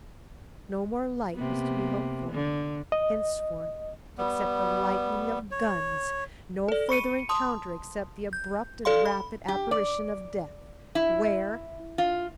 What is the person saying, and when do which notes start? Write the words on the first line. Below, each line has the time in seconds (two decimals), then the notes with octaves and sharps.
No more light was to be hoped for, henceforth, except the lightning of guns, no further encounter except the abrupt and rapid apparition of death. Where?
1.34 C3 A#3 B3
2.32 D3
2.92 D#5
4.18 G3 B3
5.51 C#5
6.68 A4 D5
6.89 B5 C#6 C#7 D#7
7.29 A5 C6 D#6
8.33 G6
8.85 A4 D5 F5 C6
9.06 B5
9.48 G4
9.71 D5
10.95 E4
11.98 F4